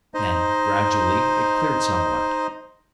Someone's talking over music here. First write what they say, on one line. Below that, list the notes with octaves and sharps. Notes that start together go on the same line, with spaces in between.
Then, gradually, it cleared somewhat.
D#4 C5 D#5